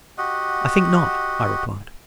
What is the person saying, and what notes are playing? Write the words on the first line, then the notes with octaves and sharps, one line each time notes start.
"I think not," I replied.
F#4 G4 D#5 F#5